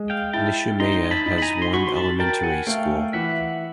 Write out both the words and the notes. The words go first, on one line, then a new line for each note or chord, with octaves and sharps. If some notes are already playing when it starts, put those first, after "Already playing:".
Nishimeya has one elementary school.
Already playing: G#3
F5 G5
E4 G5 A5
D#4 A#5 C6
A5 B5
D#4
B5
G#5 A#5
C6
F#4 B5 C#6
C6
A5 B5
A#4 G5 A5
F#5 G#5
A3 F5 G5
E3 E5 F#5